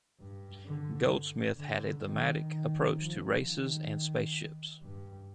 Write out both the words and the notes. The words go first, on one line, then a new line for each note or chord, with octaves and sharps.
Goldsmith had a thematic approach to races and spaceships.
G2
D3
D3
D#3
D#3
F3
D#3
G2